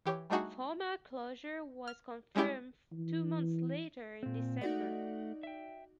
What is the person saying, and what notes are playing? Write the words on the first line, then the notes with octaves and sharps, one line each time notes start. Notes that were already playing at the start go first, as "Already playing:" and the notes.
Formal closure was confirmed two months later in December.
E3 G4 C#5
G3 A3 D4 D#4 F#4 G#4
F6
G3 G#3 C#4 E4 G4
E3
A#2 C4
A3 D#4 F#4 D5 F#5
E5 G5